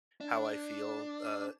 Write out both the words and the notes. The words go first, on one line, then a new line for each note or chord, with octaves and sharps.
how I feel. Uh,
D4